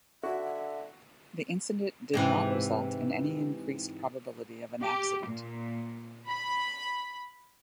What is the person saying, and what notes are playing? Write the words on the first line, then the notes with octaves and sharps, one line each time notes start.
The incident did not result in any increased probability of an accident.
D3 F#4 E5
G#2 C3 E3
G4
A#2
B5